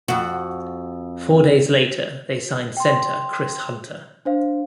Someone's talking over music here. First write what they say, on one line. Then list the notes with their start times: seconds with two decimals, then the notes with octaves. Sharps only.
Four days later, they signed center Chris Hunter.
0.08 F2 F#4
2.77 G5 C6
4.25 D4 C5 F5